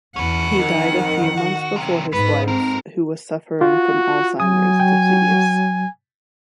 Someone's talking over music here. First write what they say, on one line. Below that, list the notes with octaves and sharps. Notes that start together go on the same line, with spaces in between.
He died a few months before his wife, who was suffering from Alzheimer's disease.
E2 C#4 B4 F#5
F2 D#3
F#4
F#2 C3
G#2 B3 B4
C4 A4 A#4
F4 F#4
F#3 G#5 D#6
G5